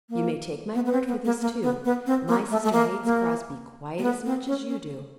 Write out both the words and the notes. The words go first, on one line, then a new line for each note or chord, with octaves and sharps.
You may take my word for this, too,--my sister hates Crosbie quite as much as you do.
A#3
B3
B3
C4
B3
A#3
A#3
B3
B3
C4
A#3
A3
A3
A#3
A#3
A#3
B3
C4
C#4
C#4